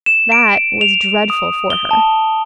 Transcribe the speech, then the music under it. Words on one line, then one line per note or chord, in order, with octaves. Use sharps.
That was dreadful for her.
E7
D7
F7
D#6
G7
A5